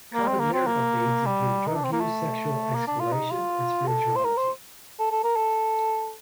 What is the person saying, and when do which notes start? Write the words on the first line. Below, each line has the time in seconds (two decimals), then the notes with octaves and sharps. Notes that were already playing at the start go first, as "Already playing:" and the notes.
Common lyrical themes include drug use, sexual exploration, and spirituality.
0.14 A#3
0.27 C4
0.40 A#3
0.53 C4
0.67 A#3
1.26 G3
1.67 D#4
1.75 D4
1.84 C4
1.92 A#3
2.00 A3
2.75 A#3
2.87 D4
3.00 F4
3.13 D#4
3.31 F4
3.87 A4
4.16 C5
4.24 A#4
4.37 C5
4.99 A4
5.11 A4
5.24 A#4
5.36 A4